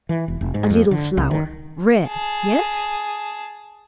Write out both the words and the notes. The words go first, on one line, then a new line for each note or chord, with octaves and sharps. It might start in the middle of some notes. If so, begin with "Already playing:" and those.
A little flower--red?--yes!
E3
E1
F1
G#2
F2
D3
C2
D#3
G#4 A5